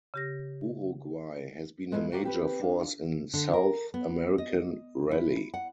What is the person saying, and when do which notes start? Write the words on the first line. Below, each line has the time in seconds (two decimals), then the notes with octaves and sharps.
Uruguay has been a major force in South American rally.
0.14 C#3 G4 A#6
1.92 G#3 A3 C#4 E4 F4
2.12 F#4 G4 A#4 D5 D#5 F5
2.24 C4 G4 B4
2.60 D4 F5
3.34 D3
3.53 A#4
3.94 B3
4.38 D#5
5.11 E4
5.54 F#5